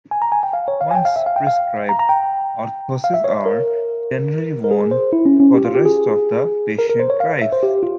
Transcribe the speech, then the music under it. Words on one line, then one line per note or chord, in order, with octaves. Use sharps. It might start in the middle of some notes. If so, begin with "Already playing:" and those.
Once prescribed, orthoses are generally worn for the rest of the patient's life.
G#5
A#5
G#5
G5
F5
C#5
F5
G#5
G5
F5
E5
F5
G5
F5
A#5
A#5
G5
F5
E5
C#5
A#4
A#4
G#4
C5
E4
C#4
C#4
G4
F4
G4
G#4
A#4
A#4
C5
C#5
F5
E5
C5
G4
F4